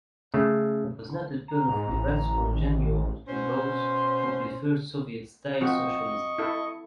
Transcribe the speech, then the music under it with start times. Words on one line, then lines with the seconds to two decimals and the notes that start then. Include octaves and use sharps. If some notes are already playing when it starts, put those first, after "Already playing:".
It was not a turn of events congenial to those who preferred Soviet-style socialism.
0.34 C#3 A3
1.48 A#5
1.68 G#2
1.89 A1
2.55 D#3
3.27 B2 C#4 C5
5.61 F3 C4 F#4 D#5 C#6
6.38 E4 A4